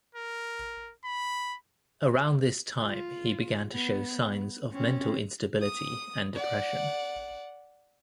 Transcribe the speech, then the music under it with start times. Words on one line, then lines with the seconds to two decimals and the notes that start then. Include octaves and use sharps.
Around this time he began to show signs of mental instability and depression.
0.15 A#4
1.05 B5
2.82 F4
3.72 B3
4.72 C4 C#4
5.62 D#6
6.35 D5 F#5